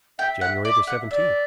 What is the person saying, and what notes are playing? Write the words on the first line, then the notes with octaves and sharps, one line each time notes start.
"January the seventeenth."
E5 G5
F#5
D5 E5
F#5
D5 E5